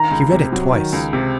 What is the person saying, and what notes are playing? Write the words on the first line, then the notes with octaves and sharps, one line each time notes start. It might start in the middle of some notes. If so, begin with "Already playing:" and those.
He read it twice.
Already playing: D#3 A#5
C#2
C3
F#3
D#3
C#2
C3